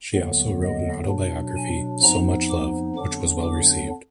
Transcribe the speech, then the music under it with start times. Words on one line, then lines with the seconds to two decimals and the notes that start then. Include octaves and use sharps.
She also wrote an autobiography, "So Much Love", which was well received.
0.15 D#2 D3 F#3 B3
0.62 D#5
1.08 B2 F#3 D4
1.56 G#5
2.03 F2 F3 B3 D#4 A#5
2.49 D6
2.96 F2 D3 F#3 B3 D4 D6
3.42 D6